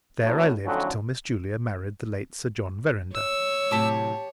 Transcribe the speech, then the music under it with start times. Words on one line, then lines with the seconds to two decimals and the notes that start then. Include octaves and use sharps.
There I lived till Miss Julia married the late Sir John Verinder.
0.23 A#1 A2 F#3
0.65 F2 A2 D3 F3 F#3 C#4
3.15 C#5 E6
3.71 A2 C3 F#3 G4 A5 D6